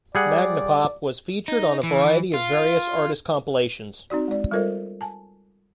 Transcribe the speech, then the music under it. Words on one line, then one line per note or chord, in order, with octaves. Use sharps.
Magnapop was featured on a variety of various artist compilations.
G3 G#4 D5 F#5
D#4
E3
F4
C4 D#4 F#4 D5
G#3 D5
G3 F4 A4 A#4 C5 D#5
G#5 A5